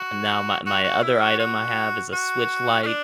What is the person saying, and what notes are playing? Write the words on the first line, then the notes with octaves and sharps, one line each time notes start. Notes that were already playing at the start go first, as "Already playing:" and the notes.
Now my my other item I have is a Switch Lite.
Already playing: F#4
F#4
F#4
E4
F#4
F#4
F#4
C#4
D4